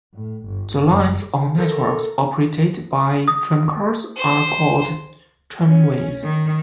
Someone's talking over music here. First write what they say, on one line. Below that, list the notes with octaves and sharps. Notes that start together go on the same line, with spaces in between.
The lines or networks operated by tramcars are called tramways.
A2
G1
F#1
A4 A#4
D#6
C5
C#4
D#3